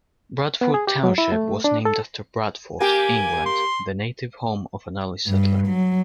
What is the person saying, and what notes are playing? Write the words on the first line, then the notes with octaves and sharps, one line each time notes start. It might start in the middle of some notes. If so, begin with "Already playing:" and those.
Bradford Township was named after Bradford, England, the native home of an early settler.
B3
G#4
G4
F#3
E4
A3
D4
A4
A#3 G4 G#5
C6
G2
F#3